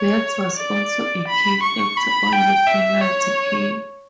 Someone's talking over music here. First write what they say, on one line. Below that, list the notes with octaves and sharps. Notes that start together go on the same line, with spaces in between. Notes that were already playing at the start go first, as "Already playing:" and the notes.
Betts was also a key factor on the penalty kill.
Already playing: C#5
D5
B5
C#6
B5
G5
E5
C#5